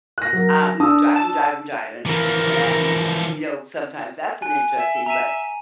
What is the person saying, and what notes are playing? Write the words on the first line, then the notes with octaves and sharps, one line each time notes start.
um, we were driving, driving, driving, and, you know, sometimes that's an interesting, but
F#6 A#6
F#3 A#4
D4 D#6 E6
A5
E3 F3 A#4
G#5 F#6
E5
E5 A#5 D#7